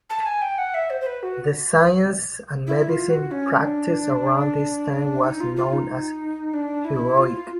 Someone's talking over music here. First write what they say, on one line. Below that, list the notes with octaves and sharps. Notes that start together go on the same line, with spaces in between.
The science and medicine practiced around this time was known as "heroic".
A5
G#5
G5
F#5
E5
C5
C5
B4
F#4
E4
F4
F#4
C#4
D4
D#4
F4
F4
D#4
D4
E4
F4